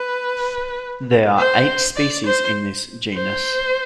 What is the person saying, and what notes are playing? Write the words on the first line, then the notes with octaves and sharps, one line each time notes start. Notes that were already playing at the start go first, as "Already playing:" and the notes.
There are eight species in this genus.
Already playing: B4
C5
D5
C5
C5